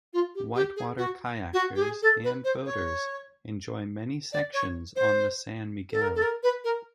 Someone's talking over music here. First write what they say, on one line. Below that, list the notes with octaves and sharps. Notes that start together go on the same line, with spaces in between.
Whitewater kayakers and boaters enjoy many sections on the San Miguel.
F4
G4
G4
G#4
F#4
F#4
G4
G#4
A4
B4
C5
C#5
D5
C#5
C5
A4
A#4
A4
A#4
B4
A#4